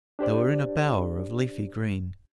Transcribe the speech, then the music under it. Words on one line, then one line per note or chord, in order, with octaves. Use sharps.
They were in a bower of leafy green.
D4 G4 C5 D5